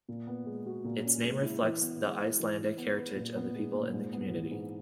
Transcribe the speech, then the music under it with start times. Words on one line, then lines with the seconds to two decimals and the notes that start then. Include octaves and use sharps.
Its name reflects the Icelandic heritage of the people in the community.
0.09 A#2
0.27 B3
0.46 G#3
0.66 F#4
0.84 A#2
1.05 C#4
1.24 G#3
1.42 E4
1.63 E3
1.81 B3
2.00 G#3
2.20 E4
2.40 E3
2.58 E4
2.78 B3
2.96 B4
3.16 A#2
3.36 B3
3.55 G#3
3.74 A#2
3.94 G#2
4.13 B3
4.31 E3
4.51 G#2